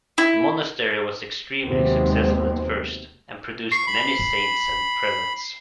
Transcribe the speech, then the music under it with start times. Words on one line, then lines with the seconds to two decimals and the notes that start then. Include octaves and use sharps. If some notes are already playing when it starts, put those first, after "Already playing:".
The monastery was extremely successful at first, and produced many saints and prelates.
0.18 E4
1.65 D#2 C3 F#3 G#3 B3 C4
3.72 C#6 C7
3.87 B5